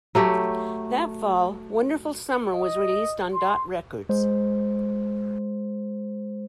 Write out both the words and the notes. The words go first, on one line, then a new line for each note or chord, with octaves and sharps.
That fall, "Wonderful Summer" was released on Dot Records.
F#3 A3 G4
D#5
C6
G#3 C5